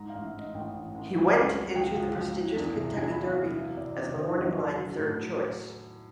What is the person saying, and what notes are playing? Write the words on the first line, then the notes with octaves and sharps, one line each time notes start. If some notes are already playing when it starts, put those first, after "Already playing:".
He went into the prestigious Kentucky Derby as the morning line third choice.
Already playing: G#2 A#5
F5
A1
E5
G#2 D#5
A1 G5
A1
A1
C#2
C#2
F#3
C#2 G5
C#2
C#2
E3
E2
C3
E2 G#5
E2 B5
F5
E3
F#3 E5
C3 D5
E2 D5
D#3 C5
E2 D#5
F#3 G#5
F#3
A2